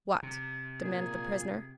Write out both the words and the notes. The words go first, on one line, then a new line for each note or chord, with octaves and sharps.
"What?" demanded the prisoner.
C3
A#2 G#4